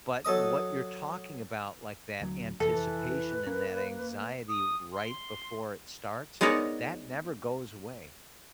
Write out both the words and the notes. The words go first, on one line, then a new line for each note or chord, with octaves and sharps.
but what you're talking about, like that anticipation and that anxiety right before it starts, that never goes away.
F#3 A4 D#5 D#6
D2 F#3
F1 E3 A4
B4
A#3 C#4
D#6
C6
G#3 B3 D#4 A#4 C#5 D5